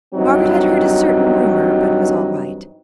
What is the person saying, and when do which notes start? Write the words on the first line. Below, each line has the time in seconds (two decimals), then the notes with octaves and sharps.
Margaret had heard a certain rumour, but was all right.
0.15 G2 E3 F#3 C4 D#4